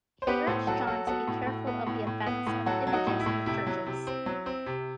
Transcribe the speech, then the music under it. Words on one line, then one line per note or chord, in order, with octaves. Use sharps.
He urged John to be careful of the "offence" of images in the churches.
C5
B3 G4 B4
A2 A4 C5
F#3 F#4 A4
F#3 F#4 A4
B3 F#4 A4
A2
A2
B3
A2
A2
B3
A2
F#3 F#4 A4
F#3
D#4 F#4
A2
E4
A2
C3 E4
F#3
C3
C4
F#3
C4
C3